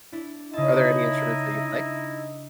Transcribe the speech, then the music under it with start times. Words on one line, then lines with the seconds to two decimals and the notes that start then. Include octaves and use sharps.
Are there any instruments that you play?
0.12 D4 E4
0.54 C#3 D#4 E4 D#5 A5
1.53 D4